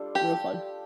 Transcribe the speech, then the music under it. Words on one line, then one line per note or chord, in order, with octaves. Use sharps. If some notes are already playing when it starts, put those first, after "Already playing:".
Real fun.
Already playing: G3 D4 F4 A4
G4